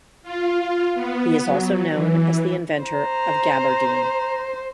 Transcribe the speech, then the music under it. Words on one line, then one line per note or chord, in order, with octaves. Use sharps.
He is also known as the inventor of gabardine.
F4
B3
F#3
E3
C5 A#5